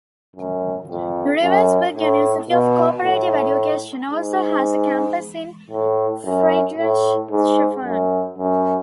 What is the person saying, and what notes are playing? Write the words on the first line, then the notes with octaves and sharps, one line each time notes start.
Ravensburg University of Cooperative Education also has a campus in Friedrichshafen.
F#2
F2
F#2
A2
B2
A2
G#2
A2
F#2
A2
G#2
F#2
F#2